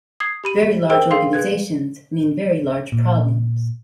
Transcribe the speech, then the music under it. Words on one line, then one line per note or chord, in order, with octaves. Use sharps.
Very large organizations mean very large problems.
D#6 G#6 C7
G4 B5 D#7
G#4 A#4 C5 G5 E6
G#4 A4 F5 C6
G#4 B4 G#6
A#2